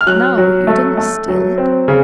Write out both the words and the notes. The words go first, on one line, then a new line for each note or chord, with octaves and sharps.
No, you didn't steal it.
F6
F#3 F#6
F#3
A3
A3
F#3
C4
C#3